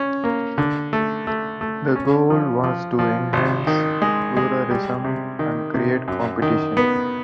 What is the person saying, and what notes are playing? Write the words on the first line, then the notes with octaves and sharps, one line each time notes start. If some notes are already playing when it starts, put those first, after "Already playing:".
The goal was to enhance pluralism and create competition.
Already playing: C#4
A#3
D3
A3
A3
A3
C#4
F3
F3
F3
G#1
D#3
G#3
G#3
G3
C3
D#3
C3
F#2
D#3
B3